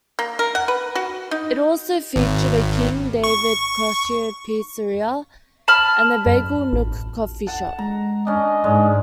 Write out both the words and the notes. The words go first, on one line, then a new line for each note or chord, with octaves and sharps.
It also featured a King David kosher pizzeria and The Bagel Nook coffee shop.
A#3
A#4
F#5
B4
F#4
D#4
G#1
C#6
A5 B5 F6
F#2
A1
F#5 A5
G#3 A#5
C#4 D4 D#5
G#2 G#3 D5